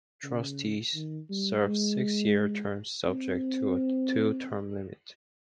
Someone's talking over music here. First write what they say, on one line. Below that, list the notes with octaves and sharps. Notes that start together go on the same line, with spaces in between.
Trustees serve six-year terms subject to a two-term limit.
C#3
D#3
G3
G#3
C4